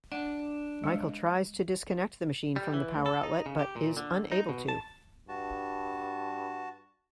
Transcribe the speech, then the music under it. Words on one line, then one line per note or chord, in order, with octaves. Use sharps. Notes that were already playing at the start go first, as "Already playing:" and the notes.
Michael tries to disconnect the machine from the power outlet, but is unable to.
D4 F#5
G3 G#3
G3
E3
D2
A4
D#4
C#3
G4
A#2
D3
D#4
B2
A5
G2 F#4 A5